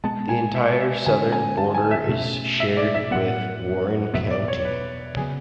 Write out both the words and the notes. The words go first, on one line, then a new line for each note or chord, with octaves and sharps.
The entire southern border is shared with Warren County.
B2 G#3 B3 A5
G#5
E5
E5
D3 G#3 C#4 G#5
G#5
A5
G#5
E5
B2 A3 C#4
E5
D5
E5
A2 F#3 B3 F#5
E2 B2 F#3 B3 E5
D5
C#5
B4
C#3 F#3 B3 G#4